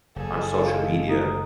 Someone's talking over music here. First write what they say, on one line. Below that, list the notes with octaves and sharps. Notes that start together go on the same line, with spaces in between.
on social media,
F#1 G#4 A4
G#3 F5
A4 A#5 D#6